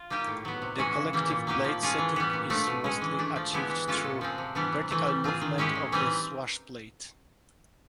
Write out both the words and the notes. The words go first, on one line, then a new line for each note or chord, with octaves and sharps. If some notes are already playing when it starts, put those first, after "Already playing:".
The collective blade setting is mostly achieved through vertical movement of the swashplate.
Already playing: F4
G3 A#3 D#4 G4
A2
F#3 B3
C3
E3 G#3 C#4 F#4
C#3
E3 G3 A#3
A#2
F#3 A#3 D#4 G4
F3
G#3 C#4 F4 G#4
E3
G3 B3
A#2
F3 A3 D4
B2
G#3 C#4
E3
A3 D4
F3
G#3 B3 E4 G4
E3
G#3 C#4 F4 A4
A#2
F3 G#3 C4
C3
E3 G3 B3 D4
C3
E3 A3
G3
C4 F4 G#4
D#3
G#3 C#4 E4 G4
A2
E3 G3 C4 D#4